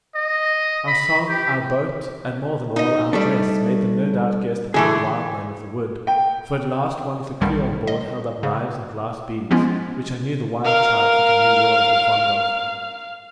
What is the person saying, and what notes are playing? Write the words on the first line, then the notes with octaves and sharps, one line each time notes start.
Our song, our boat, and, more than all, our dress, made them no doubt guess that we were wild men of the wood; for at last one of the crew on board held up knives and glass beads, which I knew the wild tribes of the New World were fond of.
D#5
B5
G4
D#4 D#5
G3 A3 D4
D3 E3 A3 G#4
G5
B1 G2 D3 D#3 G3
D#5
C#3
F3 G#3 B3 C#4 E4 F4
A#4 F5